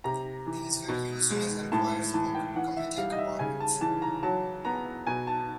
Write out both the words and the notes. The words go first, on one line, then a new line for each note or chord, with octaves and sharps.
These were used in his employer's book "Cometic Orbits".
C3 A#5
E3
B2
G#3
A2 A5
E3 A5
G5
E3 F#5
E5
G3 F5
D#5
E5
C#3 G#5
A5
E3 A5
A#5
F#3 A5
B3 A#5
B2 G#5
A5